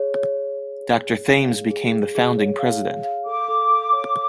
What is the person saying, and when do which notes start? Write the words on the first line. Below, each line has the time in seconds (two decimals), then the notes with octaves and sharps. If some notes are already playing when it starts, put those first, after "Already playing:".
Doctor Thames became the founding president.
Already playing: G#4 C#5
0.14 C#5
0.37 C#5
0.59 C#5
0.81 G#4
1.04 G#4
1.26 F5
1.48 G#4
1.71 G#4
1.92 G#4
2.15 G#4
2.38 C#5
2.59 F5
2.82 F5
3.04 F5
3.26 A4 D6
3.48 A4
3.70 A4
3.93 C#5